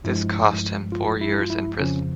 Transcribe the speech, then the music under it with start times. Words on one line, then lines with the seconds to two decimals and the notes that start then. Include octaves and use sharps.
This cost him four years in prison.
0.04 G2 F3 G#3 E4
0.92 F4
1.21 E4
1.40 F4
1.50 E4
1.80 F2 C#3 F3 C#4